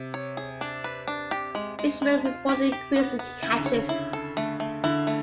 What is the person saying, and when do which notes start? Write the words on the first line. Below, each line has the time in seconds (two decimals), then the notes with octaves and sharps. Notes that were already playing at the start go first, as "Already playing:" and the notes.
Fishermen reported increase in catches.
Already playing: C3
0.14 C#5
0.37 G#4
0.61 D4
0.84 B4
1.08 D4
1.31 G4
1.55 G#3
1.79 G#3
2.02 G#3
2.25 F4
2.49 G4
2.72 G4
2.96 B3
3.19 B3
3.42 C#3 E4
3.52 D3
3.60 C#3
3.66 C#5
3.89 E4
4.13 A4
4.37 D3 A3
4.60 A3
4.84 D3 E4
5.07 A3